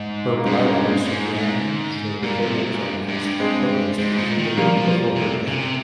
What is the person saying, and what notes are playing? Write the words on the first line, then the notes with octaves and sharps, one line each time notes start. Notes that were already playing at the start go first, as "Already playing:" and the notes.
Her private Instagram showed photos of masked protestors in the week before her death.
Already playing: G#2
A#3
G2 G#3 C4
A#3 C#4
G#3 C4
G#2
G#2
A#2 G3 A#3
C3
G#2
G2
G2
G#3 C4
G#2
A#2
D#3
F3 G3 A#3
F3
C3
C#3
C3